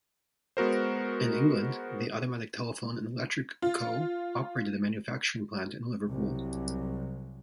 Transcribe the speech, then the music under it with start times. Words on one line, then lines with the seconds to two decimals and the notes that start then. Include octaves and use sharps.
In England, The Automatic Telephone and Electric Co operated a manufacturing plant in Liverpool.
0.57 G#3 B3 F#4 A#4 C5
3.62 F4
6.08 C2 F#3